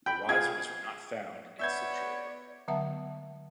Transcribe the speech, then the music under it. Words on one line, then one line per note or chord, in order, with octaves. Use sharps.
The risers were not found in-situ.
G5 B5
F4 G#4 G#6
B3 C#5 D5 E5 G6 G#6
D3 F#3 B3 E5 F#5 A5